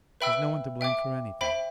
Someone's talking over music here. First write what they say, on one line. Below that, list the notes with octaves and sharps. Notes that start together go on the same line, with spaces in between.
"Is no one to blame for anything?"
B4 E5 G5 B5 E6
E5 G5 D6
C5 E5 G5 B5